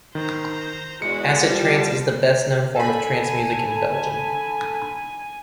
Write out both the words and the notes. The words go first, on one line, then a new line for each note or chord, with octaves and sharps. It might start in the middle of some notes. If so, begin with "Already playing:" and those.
Acid trance is the best known form of trance music in Belgium.
D#3 C5 A#5
E2 G#3 E4 F#4 C#7
F3 G3 F4 A5
A4 G#5 A5 B5